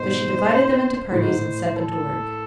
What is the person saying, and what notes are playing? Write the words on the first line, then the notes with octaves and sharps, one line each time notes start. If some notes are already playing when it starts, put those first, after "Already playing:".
So she divided them into parties and set them to work.
Already playing: G#2 B2 C5
A2 C5
G#2
A2
A4